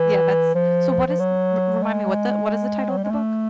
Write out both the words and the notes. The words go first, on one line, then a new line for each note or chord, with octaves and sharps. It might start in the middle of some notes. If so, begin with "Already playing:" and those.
Yeah, that's so, what is r remind me what the what is the title of the book?
Already playing: E3
F3
F3
F#3
G#3
F#3
G3
G#3
A3